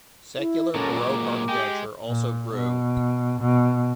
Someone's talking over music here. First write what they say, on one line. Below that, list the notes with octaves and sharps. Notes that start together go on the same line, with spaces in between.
Secular Baroque architecture also grew.
E4
A#2 F#3 G#3 C#4 A4 A#4 D6
A#3
G#3 G4 G5
A#2
B2
B2